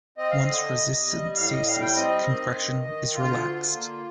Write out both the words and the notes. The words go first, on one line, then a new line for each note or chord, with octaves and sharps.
Once resistance ceases compression is relaxed.
C4 D#5
F5
D3 D#5
C3
G3
A2 F5
D#5
G3 F5
G5
C4 D#5
D#3
G2
D#3
D2 F4
D3
A#3